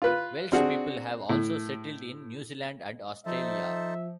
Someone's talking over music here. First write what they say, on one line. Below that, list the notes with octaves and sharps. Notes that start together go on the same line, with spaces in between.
Welsh people have also settled in New Zealand and Australia.
F4 B4
C4 D4 F#4 G#4
A2
F3 D#4 A4 C5 E5